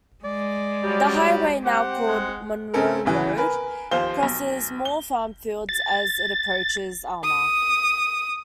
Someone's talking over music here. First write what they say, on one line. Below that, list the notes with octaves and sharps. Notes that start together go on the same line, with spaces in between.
The highway, now called Monroe Road crosses more farm fields as it approaches Alma.
G#3 D5
F#3 G3
C4 G4 F#5
G#3
C#3 C4 C#4 A4 A#4
G1 C#3 E3
A#4 B4 G#5
D#2 F3 C5 F5 G7
B1
G7
A6
D#6